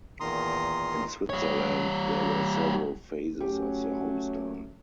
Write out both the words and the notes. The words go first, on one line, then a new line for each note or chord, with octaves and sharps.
In Switzerland there were several phases of the home style.
E2 A#2 D#3 A#5 C6 D#6
G3 C#5
F#3 A3 C#4 G4